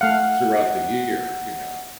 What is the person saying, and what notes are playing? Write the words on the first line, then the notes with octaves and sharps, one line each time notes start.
throughout the year, you know?
A3 F5 F#5